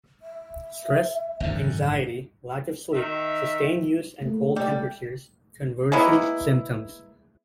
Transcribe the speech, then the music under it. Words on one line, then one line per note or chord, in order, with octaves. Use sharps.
Stress, anxiety, lack of sleep, sustained use and cold temperatures can worsen symptoms.
E5
G#1 F#2 D3
D#3 E5
A3 A#3
G3
G#3 A#3 B3 E4